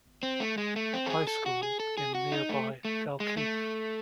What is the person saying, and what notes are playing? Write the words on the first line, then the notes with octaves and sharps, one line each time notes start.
High School in nearby Dalkeith.
C4
A3
G#3
A3
C4
A4
G#4
A4
F#4
G#4
A4
G#4
F#4
D#4
A3
A3
G#3
A3